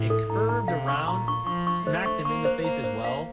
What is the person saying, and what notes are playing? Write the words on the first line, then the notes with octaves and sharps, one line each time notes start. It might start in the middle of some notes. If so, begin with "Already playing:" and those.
it curved around, smacked him in the face as well,
Already playing: A2
A4
A2 A#5
A#5
C3 F5
C#6
A#2 A#5
C#6
F3 C#6
C#6
A3 C5
C#6
A#3 C#6
C5
A#3 A#5
C5
F5